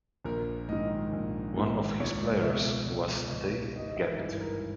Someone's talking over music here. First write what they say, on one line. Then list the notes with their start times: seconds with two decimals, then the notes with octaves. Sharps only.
One of his players was Dave Gavitt.
0.24 A#1 A#4
0.68 G#2 D#3 D#5
1.13 A#1
1.56 G#2 D#3
2.00 C#2 C#5
2.43 B2 E5
2.88 C#2
3.32 B2
3.75 G#1 D#5
3.97 E5
4.19 G2 E3 B4
4.41 A#4